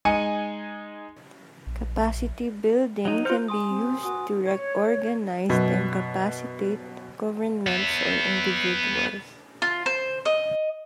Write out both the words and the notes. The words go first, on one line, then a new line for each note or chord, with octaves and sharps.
Capacity building can be used to reorganize and capacitate governments or individuals.
G#3 D#4 G#5 C#7 D#7
A#1
F#3 D#4
D#4 F4 C5 F6 G6
G#5 C6 D#6
C4
F#4 G#5 D#6
C#5
F#2 B2
B3 E5
F4
C5
D#5